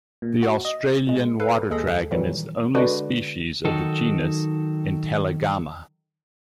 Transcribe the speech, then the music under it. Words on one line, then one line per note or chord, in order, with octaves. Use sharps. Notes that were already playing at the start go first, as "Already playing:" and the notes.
The Australian water dragon is the only species of the genus "Intellagama".
A#2
F#4
D#5
A#2 G#3
A4 B4 F5
D#2 G#3 G#4 A4 A#6
A#2 D#3 E3 F#3 G3
D3 G#3 D4 F#4 B4 D5
D#3 F#3 D#4 F#4 A4